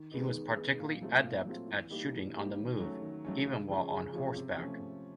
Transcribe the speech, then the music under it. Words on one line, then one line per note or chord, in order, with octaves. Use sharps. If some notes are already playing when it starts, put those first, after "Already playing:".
He was particularly adept at shooting on the move, even while on horseback.
Already playing: D#3
G#3 B3 D#4
D#3
G#3 B3 D#4
A#2
F#3 A3 C4 F4
A#2
F#3 A3 C4 F4
E3
G3 A#3 D#4 G4
E3
G3 A#3 D#4 G4
D#3
F#3 A3 C#4
D#3
F#3 A3 C#4
C#3
F3 G#3 C#4 F4
C#3
F3 G#3 C#4 F4
C3
F3 A3 C#4
C3